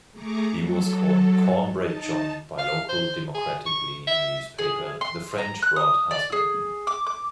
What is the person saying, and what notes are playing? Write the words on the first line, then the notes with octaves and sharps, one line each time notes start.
He was called "Cornbread John" by local Democratic-leaning newspaper, "The French Broad Hustler".
A3 G#4 A#5 C#6 D6
F#3 A4
D#4 A5
F5
C5
G#4
C#6
E5
G#4
C6
A#5
F#6
D#6
D5
G#4
D6
D6